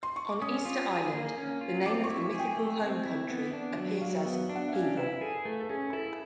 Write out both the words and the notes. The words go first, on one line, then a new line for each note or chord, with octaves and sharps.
On Easter Island, the name of the mythical home country appears as "Hiva".
C6
C#6
D6
C#4 D#6
F4
G#4
A#3
C#4
F4
C4 D6
C#6
E4
C#6
G#4
G5
A3
C4
E4
B3
D4
F#3
F#3 F5
E5
B3
E5
D4
F#5
E5
C#4 F5
E4 B4
G#4 A4
A3 A4
A4
C#4 G#4
E4 A4